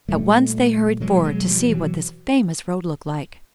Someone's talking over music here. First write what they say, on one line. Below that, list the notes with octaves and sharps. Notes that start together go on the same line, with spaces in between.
At once they hurried forward to see what this famous road looked like.
A#2 G3 A3
B2 F#3 G#3
F#3 G#3
F3 G3
E3 F#3